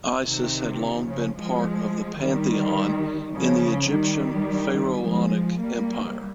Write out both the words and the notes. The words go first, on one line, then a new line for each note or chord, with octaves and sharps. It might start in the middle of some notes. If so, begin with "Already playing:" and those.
Isis had long been part of the pantheon in the Egyptian pharaonic empire.
C3 D#3
C#3 F3
F3 G#3
D#3 G3
C#3 F3
D#3 G3
F3 G#3
G3 A#3